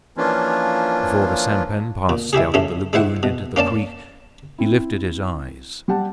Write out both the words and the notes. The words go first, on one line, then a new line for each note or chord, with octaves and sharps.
Before the sampan passed out of the lagoon into the creek he lifted his eyes.
E3 F3 A#3 C#4 D4 F4
A#2
G#3 E4 G4 G#4
F#2 C#3 A3 C#4
G#3 E4 C5 F#5
B2
A#3 C#4 D5 A5
C4 E4
G3 G4 F#5 A5